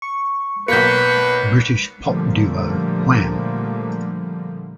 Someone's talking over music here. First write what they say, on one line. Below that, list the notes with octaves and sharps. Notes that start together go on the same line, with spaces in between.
British pop duo Wham!
C#6
B1 A#3 B4 G6 B6 C#7
A#2 D3 F3 G3 A3 A#3